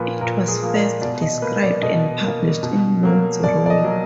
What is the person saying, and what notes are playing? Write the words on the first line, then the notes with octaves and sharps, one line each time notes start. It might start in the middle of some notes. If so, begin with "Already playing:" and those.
It was first described and published in Notes Roy.
Already playing: A#2 F3 A#3 B4
A#2 A#4
G#4
F3 A#3
D5
B2 D5
D#5
A#3 B4
D5
B2 D#5
A#3
B2
F#3 A#3
B2 D5
D5
D#5
F#3 A#3